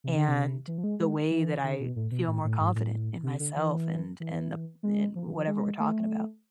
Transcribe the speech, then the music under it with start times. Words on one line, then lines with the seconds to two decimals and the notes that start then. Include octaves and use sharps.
and the way that I feel more confident in myself and and the in whatever we're talking about,
0.04 C3
0.16 D3
0.28 C3
0.68 E3
0.78 F3
0.84 G#3
1.00 G#3
1.31 E3
1.64 D3
1.80 B2
1.96 A2
2.11 B2
2.27 A2
2.44 A2
2.60 G#2
2.75 A2
3.23 C3
3.40 D3
3.56 E3
4.20 E3
4.83 G#3
5.16 F3
5.27 E3
5.37 F3
5.47 G#3
5.80 A3